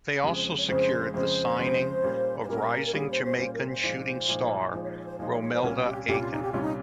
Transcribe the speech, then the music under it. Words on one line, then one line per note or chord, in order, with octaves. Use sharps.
They also secured the signing of rising Jamaican shooting star Romelda Aiken.
F2 C#3 G#3 G4
C5
C5
C#5
F2 C#3 G#3 C5
F2 C#3 G#3 C5
F2 C#3 G#3
A#2 G3 A#3 C#4
C5
A#2 G3 A#3 C#4 A#4
A#4
A#2 G3 A#3 C#4 G#4
C5
C5
A#2 G3 A#3 C#4 C5
A#4
C5
A#2 F3 G#3 D#4
A#2 F3 G#3 D#4
A#2 F3 G#3 D#4 C5
C#5
C5
C#5
C5
A#2 F3 G#3 D#4 C5
C#5
C#5
C5
C2 A#2 G3 C#4 A#4
G4
C2 A#2 G3 C#4 G4
F4
D#4
G4
C2 A#2 G3 C#4 F4
D#4